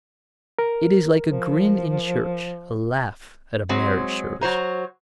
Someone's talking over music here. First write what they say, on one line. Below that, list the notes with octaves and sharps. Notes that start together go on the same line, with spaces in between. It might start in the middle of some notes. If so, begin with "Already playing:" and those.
It is like a grin in church, a laugh at a marriage service.
A#4
F3
F#3 G#3 C4
F#3 F#4 C5 A#5